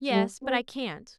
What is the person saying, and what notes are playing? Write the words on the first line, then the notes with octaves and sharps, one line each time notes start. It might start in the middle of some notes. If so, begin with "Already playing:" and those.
"Yes, but I can't."
G3
C4